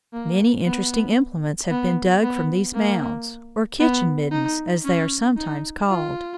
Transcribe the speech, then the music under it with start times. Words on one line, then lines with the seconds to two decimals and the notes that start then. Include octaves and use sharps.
Many interesting implements have been dug from these mounds, or kitchen middens as they are sometimes called.
0.13 A#3
0.65 B3
1.71 B3
2.23 B3
2.74 A#3
3.80 B3
4.31 D#4
4.85 C#4
5.37 D#4
5.88 F4